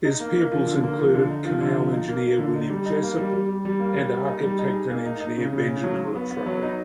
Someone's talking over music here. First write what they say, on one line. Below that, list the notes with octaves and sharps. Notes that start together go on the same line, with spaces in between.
His pupils included canal engineer William Jessop and architect and engineer Benjamin Latrobe.
D#4
A#3
A#3
F3
D3
A#3
F3
D3
D#4
F3
D3
F3
D#4
A#3
A#3
D3
D#4
G3
D#4
A#3
G3
G3
G3
G3
A#3
G3
A#3
D#4
G3
D#4
G#4
A#3
D#4
D#4
C#3
C#3
C#3
F#3
F#3
B3
B3
F#3
D#4